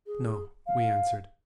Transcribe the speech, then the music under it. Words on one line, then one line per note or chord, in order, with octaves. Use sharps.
"No," we answered.
G#4
F5